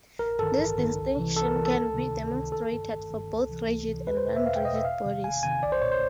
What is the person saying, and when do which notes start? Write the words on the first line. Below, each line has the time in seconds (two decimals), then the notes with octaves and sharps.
This distinction can be demonstrated for both "rigid" and "non rigid" bodies.
0.19 A1 A#4
0.39 G2 D#3 A4
0.58 A1
0.78 G2 D#3
0.97 C2
1.17 C3 E3
1.36 C2 A4
1.46 A#4
1.56 C3 E3
1.65 A4
1.74 C#2
1.94 C3 D#3
2.14 C#2
2.33 C3 D#3
2.52 G1 A4
2.72 G2 D#3
2.91 G1
3.11 G2 D#3
3.30 C#2
3.49 C3 E3
3.68 C#2
3.88 C3 E3
4.07 E2 B4
4.17 C5
4.27 B2
4.36 E5
4.46 E2 F5
4.56 G5
4.65 B2 D#5
4.76 E5
4.85 G1 F5
5.04 F2 C3 D#3
5.23 G1 G#5
5.43 F2 C3 D#3 G#5
5.63 B1 D5
5.72 C5
5.82 A#2 C#5
5.92 C5